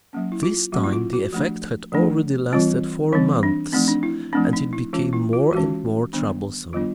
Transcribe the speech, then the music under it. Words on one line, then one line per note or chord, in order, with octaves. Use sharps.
This time the effect had already lasted four months and it became more and more troublesome.
F#3 A#3 C#4
E4
F4
F#3 A#3 C#4 F#4
E4
F4
F#4
F3 A3 D4
F3 A3 D4
E3 G3 C4 F4
E3 G3 C4 D#4
D4
F3 A3 C4 D#4
D4
E4
F3 A3 C4 D4
D#4
E4
E3 G#3 C#4 F4
E4
F4
E3 G#3 C#4 F#4
D#3 G3 B3 D4
D#3 G3 B3 D4 F4